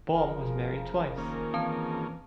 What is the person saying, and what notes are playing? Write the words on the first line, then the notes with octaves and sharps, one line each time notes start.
Baum was married twice.
F1 C#3 F3 A#4
D#3 A#3 C#4
E3 C4 A5